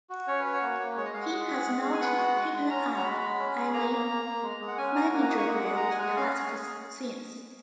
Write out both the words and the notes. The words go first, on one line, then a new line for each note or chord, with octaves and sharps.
He has not taken up any managerial tasks since.
F#4
C#4 C#5
F#4 B4
C#5
A#3
A#3
G#3 C#5
D#5
G#3 F5
F#5
G#3
G#4
G#3
G#4
G#5
B3 F#5
F#4
G#3
G#3
C#4 A#5
F#4
A#5
G#3 B5
G#3
C#4
G#4
A#3 A#5
A#3
A#3
A#3
G#3
G#3
F#5
C#4 G#5
F#4 A#5
A#3 G#5
A#5
A#3 D#6
C#6
G#3 F#5
G#3
A#5
G#3
G#5
G#3 F#5
C#4 F5
G#4